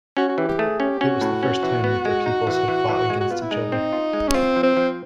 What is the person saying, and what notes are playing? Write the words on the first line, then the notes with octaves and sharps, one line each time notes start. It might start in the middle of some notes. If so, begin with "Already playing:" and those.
It was the first time that their peoples had fought against each other.
C#4 F#4
F#4
E3 G4
G4
A3 G#4
C#4 G4
C#4 F#4
A2
C#4
E3
B3
G#3
D#4
E3
E3
E3
G#3
F#4
B3 F4
E4
G#3 D#4
C4
F4
G#3
C#4
C4 F4
F3
C4
F3